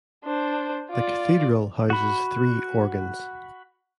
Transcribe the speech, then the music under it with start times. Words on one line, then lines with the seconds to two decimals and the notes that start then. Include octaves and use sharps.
The Cathedral houses three organs.
0.25 D4 C5
0.90 F4 D5
1.90 F#4 B5